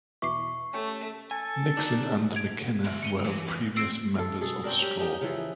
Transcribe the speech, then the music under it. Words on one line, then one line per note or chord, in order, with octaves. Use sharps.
Nixon and McKinna were previous members of Straw.
E2 B2 E3 E5 C#6 D6 C7
A3 C#4 G4 C#5
A4 G#5
D4 D#4
G#6 D7 F7
G#3 E5
C#7 D#7 G7
E3
C4 E6 C7 D7
A4
B2 G#4 A4
C4 D4 A#4
C#4 G4
D#4 G4
C#3 E3 F3